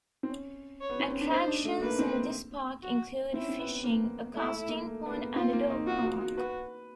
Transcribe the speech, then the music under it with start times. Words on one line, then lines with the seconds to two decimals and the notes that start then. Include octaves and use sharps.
Attractions in this park include fishing, a casting pond, and a dog park.
0.23 C4
0.30 C#4
0.81 C#5
0.90 B3
1.00 C4
1.10 C#4
1.21 D4
1.31 D#4 C5
1.48 D4
1.65 A3
1.82 A#3 B4
1.99 C4
2.83 F#4
3.34 C4 E4
3.41 C#4
3.49 C4
3.59 B3
3.84 A#3
4.34 A3 E4
4.52 A3
4.69 A#3
4.86 A3
5.06 B3
5.11 A#3
5.36 C4 F4
5.53 A#3
5.70 D#4
5.87 F4 F#4
6.03 F#4
6.21 F#4
6.37 F#4 B4